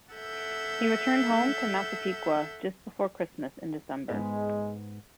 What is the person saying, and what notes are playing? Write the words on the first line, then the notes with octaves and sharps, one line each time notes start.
He returned home to Massapequa just before Christmas in December.
A4 E5 F#5 E6 G6
G#2 G#3 B3